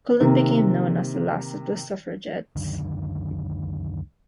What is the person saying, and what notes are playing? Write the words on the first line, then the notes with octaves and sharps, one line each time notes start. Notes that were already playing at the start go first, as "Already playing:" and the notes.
Cullen became known as "the last of the suffragettes".
C3 D#3 A#3
C#2 F#2 D3 D#3